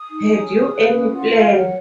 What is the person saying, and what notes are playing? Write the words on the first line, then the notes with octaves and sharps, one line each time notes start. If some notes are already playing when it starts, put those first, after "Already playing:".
Had you any plan?
Already playing: D#6
D#4
C#4
G#4
B4
C#4
F4 F#5
A#4 F5
C#5 F#5